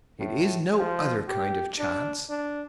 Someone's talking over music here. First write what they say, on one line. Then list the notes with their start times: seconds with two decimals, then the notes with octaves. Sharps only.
It is no other kind of chance.
0.19 A2
0.78 F3
1.28 G4
1.78 D4
2.30 D4